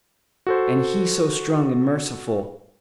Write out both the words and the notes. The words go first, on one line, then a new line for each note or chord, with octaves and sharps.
And He so strong and merciful.
F#4 A4 C5